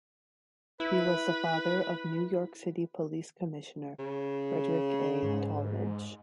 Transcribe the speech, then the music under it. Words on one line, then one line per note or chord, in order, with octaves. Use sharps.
He was the father of New York City Police Commissioner Frederick A. Tallmadge.
E4 B4
C#3
G#2